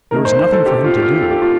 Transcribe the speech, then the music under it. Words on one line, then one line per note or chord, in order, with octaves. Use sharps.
There was nothing for him to do.
D#3 A3 D#4 A#4
C5
C5
A4
G4
F4
G4
F4
A4
G4
F4